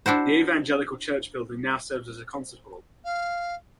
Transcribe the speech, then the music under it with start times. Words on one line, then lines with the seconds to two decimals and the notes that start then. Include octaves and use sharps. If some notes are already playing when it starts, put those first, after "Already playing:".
The evangelical church building now serves as a concert hall.
0.06 D4 E4 F#4 C5
3.04 F5